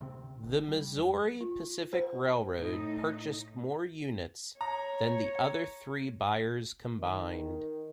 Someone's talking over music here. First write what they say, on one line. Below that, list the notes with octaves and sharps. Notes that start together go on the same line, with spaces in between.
The Missouri Pacific Railroad purchased more units than the other three buyers combined.
D2 C3 C4
G#1 D3
G3
F2 F#3
F4
C5
A2 D#4
C#5 A#5
D#3